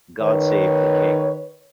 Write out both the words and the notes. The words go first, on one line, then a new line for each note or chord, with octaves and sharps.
God save the King.
D#3 B4 C#5